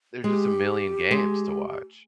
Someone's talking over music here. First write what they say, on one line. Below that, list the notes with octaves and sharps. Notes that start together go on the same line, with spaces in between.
there's just a million games to watch.
G#3 G4
G#3